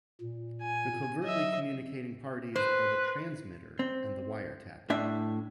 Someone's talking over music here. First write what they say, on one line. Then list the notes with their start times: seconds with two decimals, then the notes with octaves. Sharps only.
The covertly communicating parties are the transmitter and the wiretapper.
0.21 A#2
0.61 G#5
1.23 F#3 D#5 E5
2.56 B4 C5
3.79 C4
4.90 A2 D4 E5